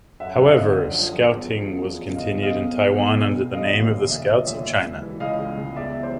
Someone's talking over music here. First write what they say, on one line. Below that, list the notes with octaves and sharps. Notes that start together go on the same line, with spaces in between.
However, Scouting has continued in Taiwan under the name of the Scouts of China.
F#2 E5 F#5
D3
D#5 F5
G1
D3
F3
F3
E2
E2
F3
E2
F#1
D#5 F5
E2
B1 D#5 F5
B2
B1
B2
B1
B2
E1 D#5 F5
D#2
D3
E1 D5 E5
F3 C#5 D#5
D#2 D5 E5
C#2
C#2
E3
C#2 D#5 F5
C#3
C#2
E2 D5 E5
E3
C5 D5